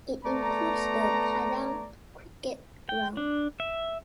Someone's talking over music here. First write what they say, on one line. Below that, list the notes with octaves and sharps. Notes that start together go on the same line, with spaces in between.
It includes the Padang Cricket Ground.
A3 B3 D5 A#5
G5
D4
E5